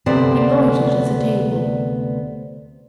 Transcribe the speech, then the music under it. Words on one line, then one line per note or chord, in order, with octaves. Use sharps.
He loitered at the table.
D2 C3 B3 C5 D5